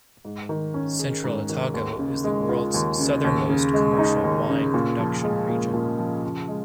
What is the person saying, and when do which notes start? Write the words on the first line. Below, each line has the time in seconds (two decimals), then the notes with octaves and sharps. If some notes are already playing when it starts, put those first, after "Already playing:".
Central Otago is the world's southernmost commercial wine production region.
0.25 G#2
0.49 D#3
0.74 C#4
0.99 G#4
1.24 G#2
1.49 D#3
1.74 D#2
1.99 C#3
2.24 G#3
2.49 F4
2.74 D#2
2.99 C#3
3.24 D#2
3.49 C#3
3.74 G#3
3.98 D#4
4.23 D#2
4.49 C#3
4.74 A#2
4.99 F3
5.23 G#3
5.49 A#2
5.74 A#2
5.99 F3
6.23 C#3
6.48 G#3